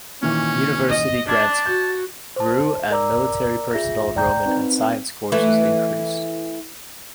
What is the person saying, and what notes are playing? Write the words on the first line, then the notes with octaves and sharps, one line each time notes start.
University grants grew and military personnel enrollment in science courses increased.
A#2 D#3 E3 C#4
D#5
D4 A5 G#6
F#4 G6
C5 A5
A#4 D5 A#5 D6 E6
F4 G#4 E5 A#6
D5 G5 A#5 G6
C4 D#4 B4
E3 A3